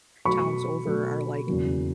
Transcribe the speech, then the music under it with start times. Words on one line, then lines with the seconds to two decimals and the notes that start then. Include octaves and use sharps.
towns over are, like,
0.25 B2 F#3 A3 B5 C#6
0.85 B2 F#3 A3
1.47 E2 C#3 F#3 A#3